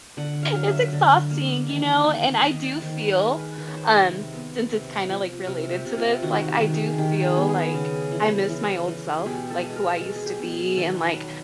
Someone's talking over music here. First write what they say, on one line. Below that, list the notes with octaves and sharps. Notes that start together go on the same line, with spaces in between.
It's exhausting, you know? And I do feel, um, since it's kinda, like, related to this, like, I do feel, like, I miss my old self, like, who I used to be and, like,
D3 F#5
F5
F#3
E5
D3
A#3
D#3
A#3
D#3 D#5
D5
D#3 C5
B4
G#3 A#4
B4
D#3 B4
C#5
C5
C3
B3
C3
F3
C3 A#4
G4
C3
F4
D#3 F#4
G4
D#3
G#4
D#3 G4
G#4
B3
G#4
C#3
E3
E3
E3
G#4
B2 G4
A4
G#3
A#4
G#3 A4
G#4
G4
B2
G#4
D#3 A4
B4
F#3 B4